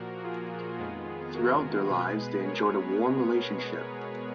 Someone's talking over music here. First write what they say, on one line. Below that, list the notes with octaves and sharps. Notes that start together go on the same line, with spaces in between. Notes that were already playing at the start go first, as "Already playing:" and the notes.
Throughout their lives, they enjoyed a warm relationship.
Already playing: A#2 F3 A#3 F#4 A#4
F4 G#4
F2 D#3 G#3 B3 F4 G#4
F#4 A#4
B2 G#3 B3 G#4 B4
A#4 C#5